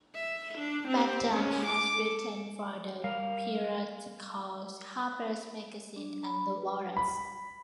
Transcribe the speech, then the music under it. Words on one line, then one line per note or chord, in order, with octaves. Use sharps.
McAdam has written for the periodicals "Harper's Magazine" and "The Walrus".
E5
D4
C4 G4
G#3 C#4
D6
A4
G3 A#4 F5
D4
B5
B4
B5